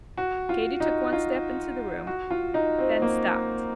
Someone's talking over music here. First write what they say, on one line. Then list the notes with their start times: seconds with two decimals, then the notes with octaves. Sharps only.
Katy took one step into the room--then stopped.
0.17 F#4
0.49 F4
0.80 D#4
1.13 F4
2.07 F#4
2.30 F4
2.54 D#4
2.78 C4
3.02 A#3